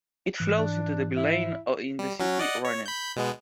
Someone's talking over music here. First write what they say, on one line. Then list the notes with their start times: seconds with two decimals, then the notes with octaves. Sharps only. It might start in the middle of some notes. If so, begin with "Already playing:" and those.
It flows into the Vilaine in the city Rennes.
0.39 G#2 E3 F#6
0.58 D4
1.17 E4
1.99 G3
2.20 F#3 C#4 F#4
2.39 D5 D#5 F#5
2.65 C#5
2.86 B5 G6
3.16 B2 G#3 B3